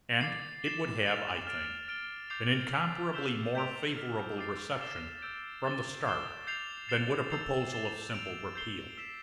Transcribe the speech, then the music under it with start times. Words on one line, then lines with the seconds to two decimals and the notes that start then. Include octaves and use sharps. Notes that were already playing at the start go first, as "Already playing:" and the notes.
And it would have, I think, an incomparably more favorable reception, from the start, than would a proposal of simple repeal.
0.21 D6 A6 C7
0.63 A6 C7 E7 G7
1.05 F6 C7 F7
1.47 F6 A6 D7
1.88 F6 A6 D7 G7
2.30 D6 G6 C7 F7
2.71 E6 B6 F7
3.13 E6 G6 B6 E7 G7
3.55 G6 B6 D7 F7
3.97 F6 B6 F7
4.38 D6 A6 C7
4.80 D6 A6 E7 G7
5.22 E6 G6 D7
5.63 D6 A6 E7 G7
6.05 D6 A6 C7 E7 G7
6.47 G6 C7 F7
6.89 A6 C7 E7 G7
7.31 E6 G6 C7 F7
7.72 A6 E7 G7
8.13 A6 D7 F7
8.55 G6 C7 G7
8.97 E6 B6 E7 G7